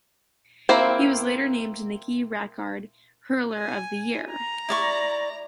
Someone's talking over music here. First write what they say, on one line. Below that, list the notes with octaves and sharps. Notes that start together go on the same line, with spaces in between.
He was later named Nicky Rackard Hurler of the Year.
A#3 C4 E4 C5
G#5
A#5
E4 D5 C#6